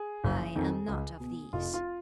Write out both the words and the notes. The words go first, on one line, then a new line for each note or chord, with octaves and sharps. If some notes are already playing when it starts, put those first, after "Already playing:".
I am not of these.
Already playing: G#4
F#1
F2 D#3
C#2
B2
F1 F4
F4